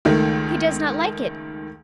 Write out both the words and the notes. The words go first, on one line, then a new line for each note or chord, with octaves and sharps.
He does not like it!
C#2 D#3 A3